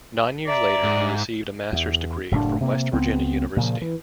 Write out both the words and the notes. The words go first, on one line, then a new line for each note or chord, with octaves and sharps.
Nine years later he received a master's degree from West Virginia University.
D5 E5 A#5
G#2
E2
F#1 A2 A3 D4
C3 A#3
C#2 B3 C4
A#2 C#3 E3 F3
E3